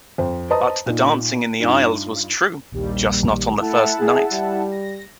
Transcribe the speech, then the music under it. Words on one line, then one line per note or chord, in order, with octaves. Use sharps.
But the dancing in the aisles was true, just not on the first night.
F2 C5
B4 C5 D#5 A5 A#5 D#6
A#2 D#4
G2 D#4 F4
A#1 D#2 G3
A3 E4 F#5 A5
G#4
G3
A#6